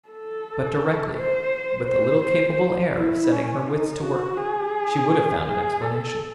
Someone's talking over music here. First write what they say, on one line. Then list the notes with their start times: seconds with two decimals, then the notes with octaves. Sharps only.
But directly, with a little capable air of setting her wits to work, she would have found an explanation.
0.09 A4
1.16 C5
1.88 C5
2.24 C5
2.95 E4
3.31 C#4
3.66 D#4
4.03 F#4
4.38 G#4
5.46 G#4
5.81 A4